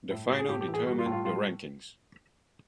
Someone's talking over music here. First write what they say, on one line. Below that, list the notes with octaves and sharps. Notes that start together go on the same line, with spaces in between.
The final determined the rankings.
A2 E4
A2 G4
G#4
A2 G4
G4
E3
G#4
G3 F#4
F4
A2
F4
G3 F4